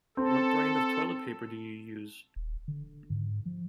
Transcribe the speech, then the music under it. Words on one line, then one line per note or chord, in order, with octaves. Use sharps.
What brand of toilet paper do you use?
C4 A4
D#1
D3
G#2
F3